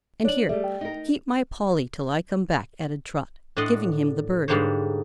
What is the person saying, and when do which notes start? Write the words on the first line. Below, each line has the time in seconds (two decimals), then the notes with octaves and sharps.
"And here--keep my polly till I come back," added Trot, giving him the bird.
0.24 D4 C#5 F#7
0.49 G3 A3 G#4 A4 E5
0.64 G5
0.81 D#4 A#4
3.57 A2 D4 D5 D#5 F#5 C6
4.48 G#2 D3 G3 A#3 C5 C#5